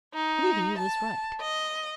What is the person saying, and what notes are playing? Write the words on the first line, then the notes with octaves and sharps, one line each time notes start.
Liddy was right.
D#4
A5
D#5